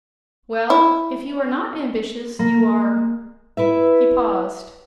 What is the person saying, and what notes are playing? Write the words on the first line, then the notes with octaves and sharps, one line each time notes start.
"Well, if you are not ambitious, you are--" He paused.
E4
A#3
E4 B4 E5